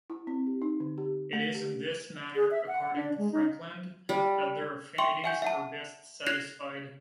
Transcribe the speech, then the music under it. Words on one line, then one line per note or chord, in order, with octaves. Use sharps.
It is in this manner, according to Frankland, that their affinities are best satisfied.
E4
C4
G4
D#4
D3
G4
A3
G4
G#4
E5
F#5
F#5
D4
G#3
D#4
G3
E5 G5 C6 C#6 C#7
E5 F#5 G#5 C#6 G6
E5 F#5 A5
F#6 G#6 A#6 C7 E7 F7